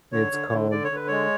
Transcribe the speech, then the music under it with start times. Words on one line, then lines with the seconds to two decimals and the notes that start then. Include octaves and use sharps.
it's called
0.12 D3 C#5
0.32 D3
0.52 D3
0.71 D3 D5
0.84 C#5
0.91 D3 B4
1.08 G#3 C#5